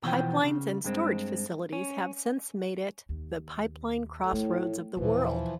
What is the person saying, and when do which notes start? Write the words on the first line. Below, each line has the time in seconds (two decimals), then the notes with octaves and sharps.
Pipelines and storage facilities have since made it the pipeline crossroads of the world.
0.04 B2 E3 F3 G5
0.44 C#3
0.85 G2 G#3 C4
1.73 C#4
3.09 D#2
4.19 A2
4.32 A3
4.97 D#2 A#2 E3 F3